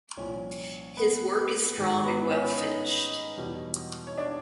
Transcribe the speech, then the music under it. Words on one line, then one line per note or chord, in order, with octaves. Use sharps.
His work is strong and well finished.
C2 A#2 F3 C#4 C#5
B3 B4
G#2 D#3 G#3
B3 B4
C#4 C#5
D#4 D#5
E2 B2 G3
C#5
D4 D5